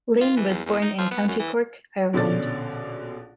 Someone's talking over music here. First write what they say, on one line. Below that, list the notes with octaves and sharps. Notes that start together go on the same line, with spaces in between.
Lane was born in County Cork, Ireland.
F4
E3
E2
E2
D#4
F3
B3
F#2
E3
A#1 B2 D3 C#4 D5 A6